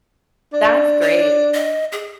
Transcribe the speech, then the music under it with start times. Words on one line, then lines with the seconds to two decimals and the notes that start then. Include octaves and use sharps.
That's great,
0.53 D4
1.02 C#5
1.54 D#5
1.92 G#4